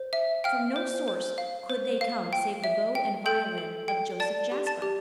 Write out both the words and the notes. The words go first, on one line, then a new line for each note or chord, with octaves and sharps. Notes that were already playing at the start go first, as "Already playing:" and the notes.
From no source could they come save the bow and violin of Joseph Jasper!
Already playing: C5
E5
F5 G5 F6
C5
C5
F5
C5
F5
G5
E5
G5
A4 G5 G6
A4
G5
D5 A5 A6
G4
A5 A6
G4